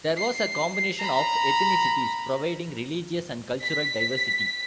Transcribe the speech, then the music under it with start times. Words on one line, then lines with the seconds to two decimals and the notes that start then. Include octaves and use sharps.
There was a combination of ethnicities, providing religious and cultural diversity.
0.16 C7
0.99 A#5 B5
3.62 B6